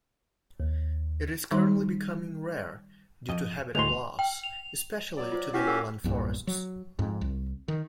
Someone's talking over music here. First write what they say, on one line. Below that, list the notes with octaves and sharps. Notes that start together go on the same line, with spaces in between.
It is currently becoming rare due to habitat loss, especially to the lowland forests.
D#2
D#3 G3 D#4 C5 C6
F2 D#5
D2 A2 G#3 C6 F7
G5
F7
F#3 D5
F4 C5
C#4 E4 F#4 G4 F#5
G#4 F#5 E6
B1 E2 G2 A#2
F#3
F2 G#2
C2
D#3